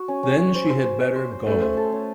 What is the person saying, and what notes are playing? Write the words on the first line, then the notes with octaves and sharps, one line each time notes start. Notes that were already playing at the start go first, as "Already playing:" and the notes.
Then she had better go.
Already playing: F#4
C#4
C#4
C#4
C5
C5
C5
C5
C5
C5
A3 C#4
C5
A4
C#4